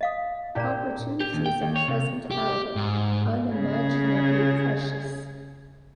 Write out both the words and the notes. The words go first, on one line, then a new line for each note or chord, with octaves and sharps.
Opportunities of present hour unimaginably precious.
D#5 F5 D#6
A#2 E4 G4 D5 A#5
G4
D#2
G5
D#2
C#5
C3
G4
G#2
C#3 G#4